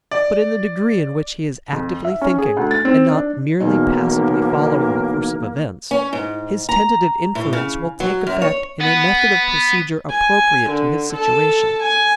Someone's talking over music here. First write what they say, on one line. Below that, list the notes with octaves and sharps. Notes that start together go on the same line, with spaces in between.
But in the degree in which he is actively thinking, and not merely passively following the course of events, his tentative inferences will take effect in a method of procedure appropriate to his situation.
D5
F2
E5
C#4
G#4
D2
A6
C4
D4
B1 E2 B2 A#3 D#4
C#4
G#2
A#5
A2
C#3
F#3
F#2
C#5
B3
G#5
D3
A4 A5
G#5